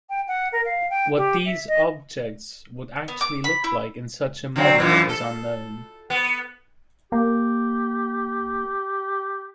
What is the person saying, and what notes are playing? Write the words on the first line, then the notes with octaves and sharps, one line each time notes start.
What these objects would actually look like in such a model is unknown.
G5
F#5
A#4
F5
G5
G4
E5
D#5
B3
D6
B5
E4
D3 F#3 C4
F#2 E3 F3
A4
B3
A#3 G4